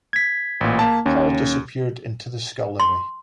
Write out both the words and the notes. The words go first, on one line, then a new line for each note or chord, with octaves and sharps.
Paul disappeared into the scullery.
G#6 B6
A1 A#2
A#3 A5
D#2 C#4
C6